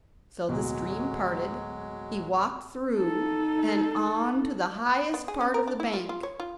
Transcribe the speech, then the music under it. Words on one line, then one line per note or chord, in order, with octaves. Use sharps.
So the stream parted; he walked through and on to the highest part of the bank.
D1 B2 F#3 G#3
D#4 A4
B3
G#4
C#4
A#4
D4
E4
F4
F4
C#5
F4